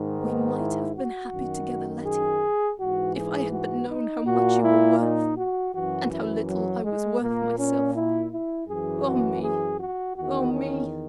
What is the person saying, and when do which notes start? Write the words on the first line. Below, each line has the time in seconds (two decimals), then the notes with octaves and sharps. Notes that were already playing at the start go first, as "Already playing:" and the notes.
"We might have been happy together, Letty, if I had but known how much you were worth, and how little I was worth myself!--Oh me! oh me!"
Already playing: G#2 D#3
0.21 B3
0.57 E4
0.95 F#4
1.31 F#2 D#3
2.04 G#4
2.78 G#2 E3 F#4
3.16 G#4
3.52 F#4
3.89 D#4
4.26 A#2 F#4
4.63 E4
5.00 D#4
5.37 F#4
5.73 F#2 E3 F#4
6.10 E4
6.48 F#3
6.84 G#3
7.21 A#2 A#3
7.58 C#4
7.95 E4
8.31 E4
8.68 F#2 E3 G#4
9.05 F#4
9.41 G#4
9.79 F#4
10.15 E2 F#4
10.20 D#3
10.53 C#4